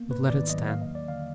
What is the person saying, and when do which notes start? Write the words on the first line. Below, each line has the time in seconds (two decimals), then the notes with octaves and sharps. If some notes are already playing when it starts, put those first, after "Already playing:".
But let it stand.
Already playing: A#3 B3
0.10 G#2 B4
0.30 D#3 D5
0.50 F#3 D#5
0.69 A#3 F5
0.82 D#5
0.88 D#2
0.95 D5
1.08 D3 F5